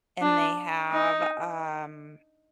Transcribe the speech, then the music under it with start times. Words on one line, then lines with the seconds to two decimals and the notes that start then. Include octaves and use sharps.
And they have, um
0.22 D4
0.92 D#4